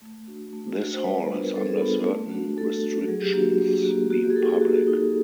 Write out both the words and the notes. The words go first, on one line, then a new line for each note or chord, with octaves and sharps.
This hall has under certain restrictions been public.
A3
D4 F#4
A3
D4 F#4
C5
G3 B4
B3 D4 F4
A#4
G3 A4
G#4
B3 D4 F4 A4
A3
D4 F#4
A3 A4
D4 F#4
F#3 G#4
G4
A#3 D4 F#4
G4
F#3
A#3 D4 F#4
A#3 F#4
G4
G#4
D#4 F#4 A4
G#4
A#3 F#4
D#4 F#4